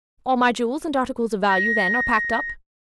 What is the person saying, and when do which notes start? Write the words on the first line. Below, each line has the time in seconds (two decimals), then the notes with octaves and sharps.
"All my jewels and articles of value, then, are packed up?"
1.49 A#6